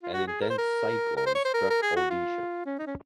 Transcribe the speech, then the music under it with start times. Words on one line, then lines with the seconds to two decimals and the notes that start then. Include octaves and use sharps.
An intense cyclone struck Odisha.
0.03 F4
0.13 F#4
0.27 G#4
0.41 A#4
0.50 C5
0.58 A#4
1.17 A#4
1.26 C5
1.35 C#5
1.45 C5
1.54 A#4
1.70 A#4
1.82 G#4
1.96 F#4
2.10 F4
2.66 C#4
2.79 D#4
2.87 C#4